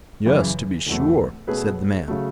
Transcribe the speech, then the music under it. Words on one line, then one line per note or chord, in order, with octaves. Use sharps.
'Yes, to be sure', said the man.
F#2 C#3 E3
E1 E2 B2 F#3 A3
B2 A3 C#4 G#4 B4
C#3 F#3 A3